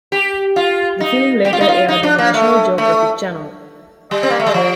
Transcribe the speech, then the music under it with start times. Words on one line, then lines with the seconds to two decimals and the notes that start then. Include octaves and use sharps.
The film later aired on the National Geographic Channel.
0.12 G4
0.56 F4
1.00 D#4
1.45 G4
1.53 F4
1.61 D#4
1.69 F4
1.88 D#4
2.03 D4
2.18 A#3
2.34 A3
2.78 A3
4.11 G3
4.23 C4
4.30 A#3
4.40 A3
4.46 G3
4.54 F3